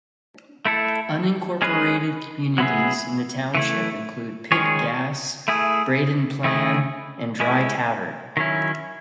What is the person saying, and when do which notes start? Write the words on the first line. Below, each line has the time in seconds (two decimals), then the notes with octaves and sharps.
Unincorporated communities in the township include Pitt Gas, Braden Plan, and Dry Tavern.
0.65 A3 E4 A4
1.62 G#3 C#4 G#4 B4
2.58 F#3 B3 E4 G#4
3.55 E3 A3 E4
4.52 D#3 G#3 C#4 G#4 C#5
5.48 A3 E4 G#4
6.44 D#3 A3 E4 G#4
7.40 G#3 C#4 E4
8.37 D#3 F#3 C#4 E4